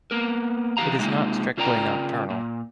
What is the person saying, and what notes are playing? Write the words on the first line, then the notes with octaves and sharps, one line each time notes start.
It is not strictly nocturnal.
A#3 B3 A#4
E3 B3 G4 F5 A#5
C3 G#3 A#3 D#4 F4
C#3 F4 A#4 D5 G5 A#5
A#2